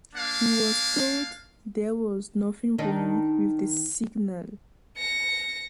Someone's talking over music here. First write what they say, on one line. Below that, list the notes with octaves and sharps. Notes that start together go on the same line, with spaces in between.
He was told there was nothing wrong with the signal.
A#3 D4 F5
D#3 D4 D#4
A#6 C#7